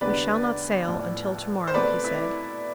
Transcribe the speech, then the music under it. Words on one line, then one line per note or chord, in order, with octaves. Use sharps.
"We shall not sail until to-morrow," he said.
F1 E2 D3 G3 B3 B4 D5
A1 A2 F3
C5
C2 B2 A3 B4 D5
E4